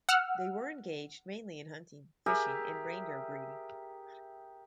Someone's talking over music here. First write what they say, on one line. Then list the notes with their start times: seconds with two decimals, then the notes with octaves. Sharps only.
They were engaged mainly in hunting, fishing, and reindeer breeding.
0.09 F#5 E6 F6
2.26 G4 G#4 A#4 E5